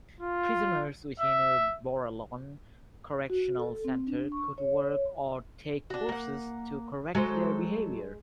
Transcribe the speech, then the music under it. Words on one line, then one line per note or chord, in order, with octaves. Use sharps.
Prisoners within Borallon Correctional Centre could work or take courses to correct their behavior.
F4
E5
F#4
A4
C4
D4
C#6
C#5
D4 F#4
A#3 F#5
F#3 G#3 A4 C5